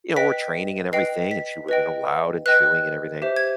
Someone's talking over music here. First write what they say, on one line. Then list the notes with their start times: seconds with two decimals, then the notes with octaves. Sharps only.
you know, we're training and everything, and she would, you know, loud and chewing and everything,
0.16 B4 D#5 G5 B6
0.92 B4 D#5 G5 C7
1.31 B6
1.69 B4 D#5 G5
2.46 B4 D#5 G5 F#6
3.22 G4 C5 E5
3.36 G#6